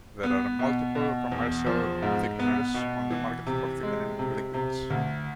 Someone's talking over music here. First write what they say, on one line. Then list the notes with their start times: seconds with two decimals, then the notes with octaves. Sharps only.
There are multiple commercial thickeners on the market for thickening liquids.
0.23 B3
0.59 B2
0.95 B2
1.32 E2
1.66 F3
2.02 G#2
2.40 B3
2.74 B2
3.11 E3
3.46 C3
3.83 G#3
4.19 C3
4.54 C3
4.90 D2